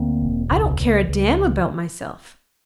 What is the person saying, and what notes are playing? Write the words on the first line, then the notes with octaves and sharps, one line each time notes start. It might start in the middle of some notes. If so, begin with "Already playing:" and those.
I don't care a damn about myself.
Already playing: D2 A#3 C4
E1
C#2
C#2
C#2